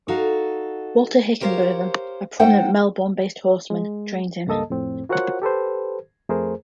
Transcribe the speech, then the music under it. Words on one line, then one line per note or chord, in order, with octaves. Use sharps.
Walter Hickenbotham, a prominent Melbourne-based horseman, trained him.
D#4 F#4 A4 F5
G4 A#4 C5 C#5 E5 F5
G#3 D#4 C5 F#5 G5
G#3
C#2 G2 A#3 A4 D#5 A5
F2 A2 C4
F4 F#4 A#4 C5 C#5 F#5
G4 A4 B4 C5
F2 A3 G#4 A#4 C5